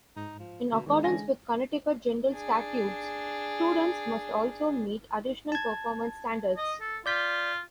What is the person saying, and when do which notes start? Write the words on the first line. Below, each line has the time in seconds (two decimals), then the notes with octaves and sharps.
In accordance with Connecticut General Statutes, students must also meet additional performance standards.
0.16 G#2 D#4
0.39 F3
0.72 B2 D3
0.87 E2 D#3 G#3
1.04 D3 E3 C#4 D4 G#5 A#6
2.32 D4 G#4
5.52 A5 G#6
6.57 D#5
6.81 A4
7.06 F4 D5 G6 B6